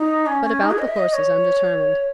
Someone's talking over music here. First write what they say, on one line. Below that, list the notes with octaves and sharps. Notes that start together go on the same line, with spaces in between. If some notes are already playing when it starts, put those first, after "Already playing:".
But about the horses I'm determined.
Already playing: D#4
C#4
C#4
D#4
G#4
D#5
E5
D#5
C#5